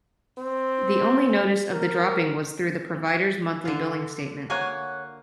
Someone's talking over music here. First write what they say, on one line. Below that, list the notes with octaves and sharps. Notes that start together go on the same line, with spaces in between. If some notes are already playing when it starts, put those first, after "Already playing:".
The only notice of the dropping was through the provider's monthly billing statement.
C4
A#4
D3 F4
A#3 F#4 C#5 F#5 G#5